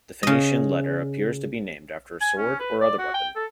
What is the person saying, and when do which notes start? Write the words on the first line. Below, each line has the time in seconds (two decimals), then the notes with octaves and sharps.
The Phoenician letter appears to be named after a sword or other weapon.
0.23 C#3 D#5
2.21 G#5
2.38 C#4
2.59 B4
2.81 D5
2.98 F#4
3.14 G5
3.36 A4